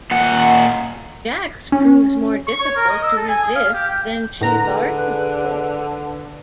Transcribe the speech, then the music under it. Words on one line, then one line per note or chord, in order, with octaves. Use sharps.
Jax proves more difficult to resist than she bargained for.
A#2 F#5
C#4
C#6
C#5
A#4
D#5
E6
A4
G#5
G#4
F5
G4
G5
A2 D3 G#4 B4 A#5